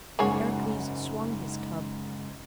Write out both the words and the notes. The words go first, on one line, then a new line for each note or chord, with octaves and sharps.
Heracles swung his club.
F#1 G#2 A#3 G#4 C#5 F#5